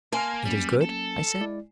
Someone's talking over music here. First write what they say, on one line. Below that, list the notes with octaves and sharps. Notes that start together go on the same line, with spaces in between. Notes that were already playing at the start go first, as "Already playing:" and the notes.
"It is good?" I said.
A#3 G#5 A5 C6 F6
F#3 G3 A#3 C#4
A4
G#3 E4 D5